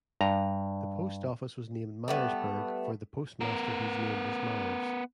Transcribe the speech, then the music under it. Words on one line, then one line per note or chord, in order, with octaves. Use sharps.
The post-office was named Miersburg for the postmaster whose name was Miers.
G2 A#5
G3 A3 B3
B3 A#4